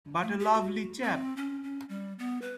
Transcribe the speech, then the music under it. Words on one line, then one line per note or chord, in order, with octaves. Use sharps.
But a lovely chap!
A3
G4
F#4
C4
C#4
C#4
G3
B3
B4